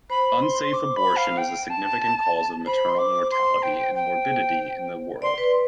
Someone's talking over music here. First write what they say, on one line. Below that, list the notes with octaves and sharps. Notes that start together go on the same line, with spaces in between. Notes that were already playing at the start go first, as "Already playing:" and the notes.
Unsafe abortion is a significant cause of maternal mortality and morbidity in the world.
C5 B5
C6
D6
B5
F5
G5
A5
C5 B5
C6
D6
C6
G5
G5
D5 C6
B4